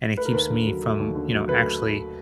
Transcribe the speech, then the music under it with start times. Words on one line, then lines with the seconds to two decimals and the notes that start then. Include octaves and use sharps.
and it keeps me from, you know, actually
0.17 A3 B4
0.25 A#4
0.34 D#2 B4
0.50 D3
0.67 F#3
0.83 A3
0.99 D#2
1.15 D3
1.33 F#3
1.49 A3 B4